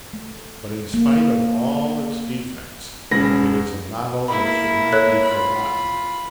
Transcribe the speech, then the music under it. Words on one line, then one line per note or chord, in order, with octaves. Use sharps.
But in spite of all its defects it is a novel that should not be forgotten.
A3
A#3
E1 C#4 B5 A#6
A#3 E4 B5
A4 C#5 F#6
F4 B5